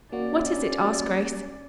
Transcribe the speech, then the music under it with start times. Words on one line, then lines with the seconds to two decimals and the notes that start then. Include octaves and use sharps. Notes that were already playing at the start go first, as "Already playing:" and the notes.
"What is it?" asked Grace.
0.12 A#3 C#4 F#4 D5